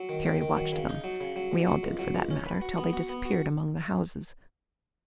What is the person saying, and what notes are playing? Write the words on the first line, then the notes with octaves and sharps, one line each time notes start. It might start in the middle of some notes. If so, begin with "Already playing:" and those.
Terry watched them, we all did for that matter, till they disappeared among the houses.
Already playing: F#3
D#3
D#3
D#3
F#3
C#3
D#4
F#3
C#3
F#3
C#2
F#3
C#2
F#3
C#2
C#4
B4
F#4
B3
F#4
B3
F#4